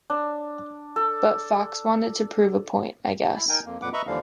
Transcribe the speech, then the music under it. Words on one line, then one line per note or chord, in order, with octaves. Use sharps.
But Fox wanted to prove a point, I guess.
D4
A4
E4 B5
D#4 A#4 G5 G#5
F2 A#3
F2 A#2 B4 F#5 D6
B4 D#5 E5 A#5 B5 C#6
D#2 D3 E3 F3 G3 F5